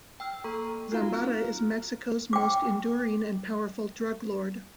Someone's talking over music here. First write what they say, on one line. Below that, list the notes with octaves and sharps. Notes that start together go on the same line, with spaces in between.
Zambada is Mexico's most enduring and powerful drug lord.
G5 E6 F6
A#3 A4 A#5 C#6
A#5
D#4 F4 F#4 F5 A#5
C4 F6 F#6
G5 D6